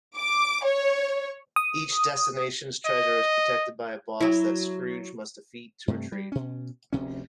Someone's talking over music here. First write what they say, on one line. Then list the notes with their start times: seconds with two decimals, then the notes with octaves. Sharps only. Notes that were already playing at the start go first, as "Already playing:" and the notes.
Each destination's treasure is protected by a boss that Scrooge must defeat to retrieve.
0.17 D6
0.65 C#5
1.56 D#6
2.86 D#5
4.20 F#3 E4
5.88 G2 C3 A3
6.12 G3
6.32 B2 C#4
6.93 F1 D2 C3 C#4